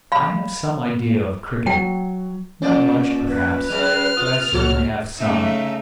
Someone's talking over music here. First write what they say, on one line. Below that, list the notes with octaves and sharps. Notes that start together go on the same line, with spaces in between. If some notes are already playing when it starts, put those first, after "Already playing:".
I have some idea of cricket--not much, perhaps, but I certainly have some.
F5 B5
F#3 F#5 G5
A#2 A3 C#4 D5
B4
F#2 G#3 F6
F4 D#6
C#2 A#2 F#4 A4 C#5
C#3 A3 D#4 E5